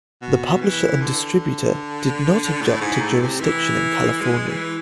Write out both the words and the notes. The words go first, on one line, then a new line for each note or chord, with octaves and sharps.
The publisher and the distributor did not object to jurisdiction in California.
B2
E3
D3
A2
G#2
A2
C3
E3
G#3
E3